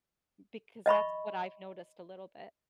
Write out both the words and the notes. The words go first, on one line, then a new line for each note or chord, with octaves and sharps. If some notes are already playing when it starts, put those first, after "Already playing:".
Because that's what I've noticed a little bit.
D#5 E5 B5 C#6